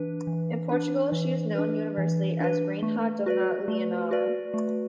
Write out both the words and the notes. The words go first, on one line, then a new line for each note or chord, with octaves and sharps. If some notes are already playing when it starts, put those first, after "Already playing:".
In Portugal, she is known universally as "Rainha Dona Leonor".
Already playing: E3 D4 B4
E3
D4 B4
E3
D4 B4
E3
D4 B4
A3
F#4 B4 D5
A3
F#4 B4 D5
A3